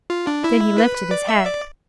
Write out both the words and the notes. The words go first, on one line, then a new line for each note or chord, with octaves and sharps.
Then he lifted his head.
F4
D4
E4
B4
D5
E5
D5